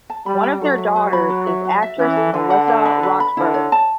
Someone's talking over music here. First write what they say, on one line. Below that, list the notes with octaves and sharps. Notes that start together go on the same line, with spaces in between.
One of their daughters is actress Melissa Roxburgh.
A5
G3 B5
G5
F#3 A4
E5
B4
B5
F#4
E5
F#4
E5
E3 C#4
A4
D3 B4
F#5
D4
B4
B4
B5
D3 E4
C#5
A5